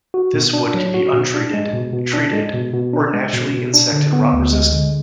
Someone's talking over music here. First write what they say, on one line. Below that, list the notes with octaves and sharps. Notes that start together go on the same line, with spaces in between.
This wood can be untreated, treated, or naturally insect and rot resistant.
F#4
B2
D4
F#3
F#4
B2
D4
G#3
B2
B2
D4
G#3
B2
B2
D4
G#3
B2
B2
D4
D3
B3
D2
G#3
D3